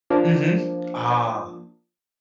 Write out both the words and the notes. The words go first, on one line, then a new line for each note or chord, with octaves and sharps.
Mhm, ah.
F3 A#3 D4